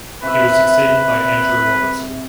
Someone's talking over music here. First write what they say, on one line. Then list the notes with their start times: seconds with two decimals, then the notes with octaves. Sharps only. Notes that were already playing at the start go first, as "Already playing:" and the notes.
He was succeeded by Andrew Robertson.
0.23 C3 B4 E5